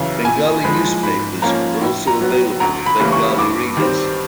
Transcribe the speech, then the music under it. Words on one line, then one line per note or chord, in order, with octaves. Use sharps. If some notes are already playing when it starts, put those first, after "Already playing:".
Bengali newspapers are also available for Bengali readers.
Already playing: F#2 C#3 E3
A#2 G#5
F3 G#3 B5
G#2 B5
F3 A#3 C#4 A#5
A2
A#5
F#3 B3
D2 A#5
B5
C#3 E3 G3 A#3
C#6
G2 D6
D#3 G3 C4